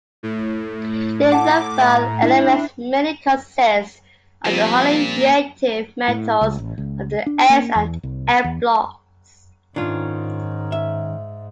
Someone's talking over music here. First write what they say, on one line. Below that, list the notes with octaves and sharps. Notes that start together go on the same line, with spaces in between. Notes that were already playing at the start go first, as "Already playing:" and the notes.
Lithophile elements mainly consist of the highly reactive metals of the s- and f-blocks.
A2
F#5 A5 D6
E5 A#5
D4 E4
A#2 F3 G3 C4
A#3
A2
C#2
A1
C#2
D4
A#3
E2
C2
E2
G#2 D#3 C#4 D4 F4
E5